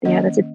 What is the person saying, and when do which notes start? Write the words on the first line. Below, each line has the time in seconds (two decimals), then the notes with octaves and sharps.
Yeah, that's a
0.05 D#3 A#3 C#4 D#5